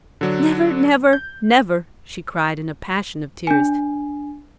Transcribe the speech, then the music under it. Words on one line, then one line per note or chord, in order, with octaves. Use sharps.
"Never, never, never!" she cried, in a passion of tears.
D3 F#3 D4
G6
D4 G#5